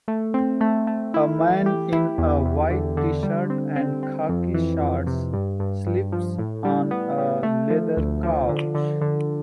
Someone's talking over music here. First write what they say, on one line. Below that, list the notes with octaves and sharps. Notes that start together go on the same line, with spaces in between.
A man in a white tshirt and khaki shorts sleeps on a leather couch.
A3
C4
A3
A3
E4
E3
G4
E4
E2
E2
D3
D3
G3
C4
C4
C4
F2
E3
F2
C3
G2
G2
G2
F3
A2
G3
B3
G3
A3
F3
D2
F3
D3
D3
D3